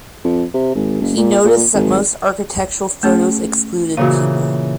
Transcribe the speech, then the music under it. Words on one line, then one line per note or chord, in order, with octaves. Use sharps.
He noticed that most architectural photos excluded people.
F2
C3
G#1
F#1
A#2
A#2
G#1
A3 C#4 G#4
A#2 C#3 E3 F#4 F5